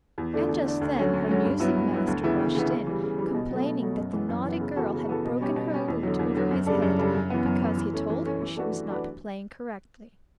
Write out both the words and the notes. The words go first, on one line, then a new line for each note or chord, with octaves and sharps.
And just then her music master rushed in, complaining that the naughty girl had broken her lute over his head, because he told her she was not playing correctly.
E2
D3 A3 D4
E2
D3 A3 D4
D2
D3 F#3 C#4
D2
D3 F#3 C#4
G2
F#3 B3 E4
G2
F#3 B3 E4
D2
C#3 E3 B3 E4
D2
C#3 E3 B3 E4
C#3
E3 G3
C#3
E3 G3
B2
F#3 A3
B2
F#3 A3
F#2
E3 B3
F#2
E3 B3
C#3
E3 B3 F#4 A4
C#3
E3 B3 F#4 A4
B2
G3 C#4 G4
B2
G3 C#4 G4
E2
D3 F#3
E2
D3 F#3
F#2
C#3 G3 D4 A4
F#2
C#3 G3 D4 A4
F#2
E3 B3
F#2
E3 B3
E3
A3 C#4
E3
A3 C#4
E3
A3 D4 F#4 B4
E3
A3 D4 F#4 B4